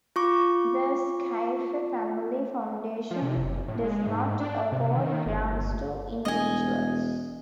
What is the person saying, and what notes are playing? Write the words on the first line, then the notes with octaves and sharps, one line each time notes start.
The Scaife Family Foundation does not award grants to individuals.
F4 C#6 D6
F3
C3
F#1
A2
G#3
G#2
D4
C3
D#3
G1
E1 D#5 G#5